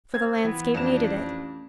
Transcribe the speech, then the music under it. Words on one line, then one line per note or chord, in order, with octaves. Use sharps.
For the landscape needed it.
C4 G#6
E3 B3
A1 F2 D4 E7